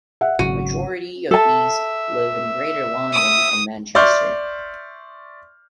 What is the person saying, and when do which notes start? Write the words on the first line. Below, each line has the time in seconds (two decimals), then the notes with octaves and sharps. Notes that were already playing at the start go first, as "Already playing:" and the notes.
The majority of these live in Greater London and Manchester.
0.21 E5 F#5
0.39 G#1 C#3 F#3 F#4 D#7
1.31 A4 E5 A5
3.13 D#6
3.95 D5 E5 C6 C#6 F6 G6